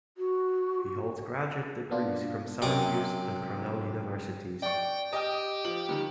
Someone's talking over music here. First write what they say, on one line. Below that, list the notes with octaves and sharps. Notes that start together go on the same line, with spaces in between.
He holds graduate degrees from Syracuse and Cornell Universities.
F#4
B2 A#3 B3 D4 F4
F#2 C3 D#5 D6
D5 G5 C#6
G4 D#5 G5 D#6
F3 F#7
D#3 G3